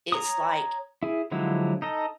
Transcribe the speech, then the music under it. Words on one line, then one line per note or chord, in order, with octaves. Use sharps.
It's like
C#5 A#5 D#6
E4 G#4
D3 F3 F#3 G#3 E4
D#4 A4 D#5